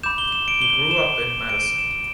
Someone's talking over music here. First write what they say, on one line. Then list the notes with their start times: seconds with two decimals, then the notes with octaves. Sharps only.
He grew up in Madison.
0.03 B5 D6 G6 E7
0.18 G7
0.32 E7
0.48 D7
0.62 G7
0.91 E7
1.49 D7
1.78 E7